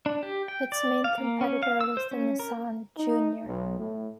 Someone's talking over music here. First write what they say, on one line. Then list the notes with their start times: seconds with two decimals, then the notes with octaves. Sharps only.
Its main competitor was the Nissan Junior.
0.06 D4
0.23 G4
0.48 G5
0.72 D5
1.04 F5
1.18 A#3
1.41 C#4
1.63 F5
1.81 E6
1.97 C5
2.11 C#4
2.40 A#4
2.98 D#4
3.44 B1
3.78 A2